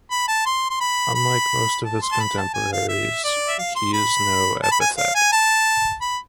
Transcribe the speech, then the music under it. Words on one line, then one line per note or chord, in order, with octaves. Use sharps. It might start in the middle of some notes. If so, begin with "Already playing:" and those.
Unlike most of his contemporaries, he has no epithet.
B5
A5
C6
C6
B5
B5
A5
C6
A5
B5
A5
G#5
F5
E5
D5
E5
F5
C6
B5
A5
B5
G#5
F5
G#5
A5
B5